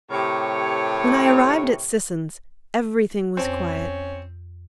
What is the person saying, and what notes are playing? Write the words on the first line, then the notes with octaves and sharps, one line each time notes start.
When I arrived at Sisson's everything was quiet.
A2 C3 G4 A#4 C#5
F2 C4 C#4 G#5